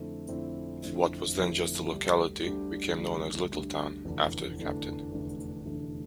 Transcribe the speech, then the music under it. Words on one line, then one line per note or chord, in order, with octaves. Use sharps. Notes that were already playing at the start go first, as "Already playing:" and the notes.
What was then just a locality became known as Lyttleton after the Captain.
Already playing: F2 D3 A3 C4 E4
F2 D3 A3 C4 E4
F2 D3 A3 C4 E4
F2 D3 A3 C4 E4
D2 D3 G3 D4 G4
D2 D3 G3 D4 G4
D2 D3 G3 D4 G4
D2 D3 G3 D4 G4
F1 E2 D3 A3 D4
F1 E2 D3 A3 D4
F1 E2 D3 A3 D4
F1 E2 D3 A3 D4